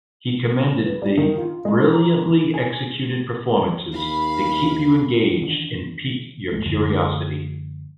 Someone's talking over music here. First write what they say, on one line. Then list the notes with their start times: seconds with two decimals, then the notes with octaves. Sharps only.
He commended the "brilliantly executed performances that keep you engaged and peak your curiosity".
0.85 B4
1.02 G3
1.17 D#3
1.38 F4
1.65 G#3
1.80 C5
1.93 A#5
2.25 E3
2.54 G#5
3.92 D#2 F5 B5
5.42 D#3 E3 C#4 D4
6.52 D1 D2 G#3 A3
6.66 F#2 D3 F3 A3